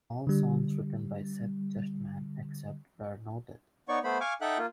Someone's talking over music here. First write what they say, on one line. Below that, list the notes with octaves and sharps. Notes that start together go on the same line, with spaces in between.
All songs written by Seth Justman except where noted.
D3 G3
B3 D#4 C#5 D5 C#6
A3 B3 C5 B5
F5 G#5 C#6 D6
D#4 A4 E5 F#5 G5 F#6
A#3 F4